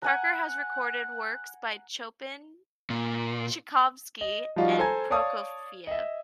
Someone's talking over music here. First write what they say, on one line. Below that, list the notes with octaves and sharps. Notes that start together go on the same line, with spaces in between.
Parker has recorded works by Chopin, Tchaikovsky and Prokofiev.
F#5 G#5 A#5 F#6
A#2
D#5
F3 G3 D#4 F4 F#4
A4 C5 G#5 A#5 G#6
C#5 D5 F5 A5 D#6
D#5 E5